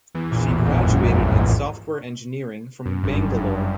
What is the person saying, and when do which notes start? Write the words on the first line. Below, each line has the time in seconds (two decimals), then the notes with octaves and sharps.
She graduated in software engineering from Bangalore.
0.15 E2 E3
0.31 A#1 A#2
0.48 A1 A2
0.66 G#1 G#2
0.83 F#2
1.06 F2
2.86 F#2
3.03 G1 G2
3.37 F#2